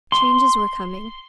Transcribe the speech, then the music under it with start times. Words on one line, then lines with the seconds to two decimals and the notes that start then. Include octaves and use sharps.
Changes were coming.
0.12 C6